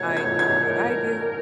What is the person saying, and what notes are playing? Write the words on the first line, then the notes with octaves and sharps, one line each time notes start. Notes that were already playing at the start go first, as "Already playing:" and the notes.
I do what I do.
Already playing: C#5 G#6
G#6
G#6
A#4